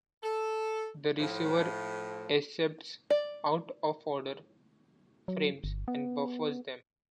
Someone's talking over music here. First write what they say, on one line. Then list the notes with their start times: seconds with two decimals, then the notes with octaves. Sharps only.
The receiver accepts out-of-order frames and buffers them.
0.23 A4
1.19 A2 F3
3.10 D5
5.28 F#3
5.64 G1
5.88 B3